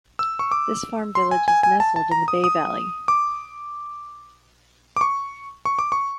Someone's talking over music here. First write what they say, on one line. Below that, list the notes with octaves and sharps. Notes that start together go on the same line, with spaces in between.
This farm village is nestled in the Bey valley.
E6
C#6
D6
C6
G#5
G#5
G#5
A5
A5
A#5
D#6
D#6
D6
D6
C#6
C#6
D6
C#6